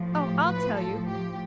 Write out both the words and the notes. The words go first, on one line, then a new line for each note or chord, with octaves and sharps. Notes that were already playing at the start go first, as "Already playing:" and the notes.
Oh, I'll tell you!
Already playing: A2 F3
G4
B4
A4
G4